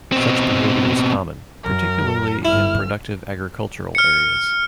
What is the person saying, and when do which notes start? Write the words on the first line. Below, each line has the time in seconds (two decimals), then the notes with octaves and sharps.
Such behaviour is common, particularly in productive agricultural areas.
0.12 B2 C4
1.63 F#2 A#4
2.45 G1 G#2 E4 F6
3.95 F6 C#7